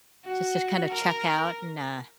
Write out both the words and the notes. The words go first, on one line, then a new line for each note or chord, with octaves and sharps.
Just to kind of check out, and, uh
F#4
A#4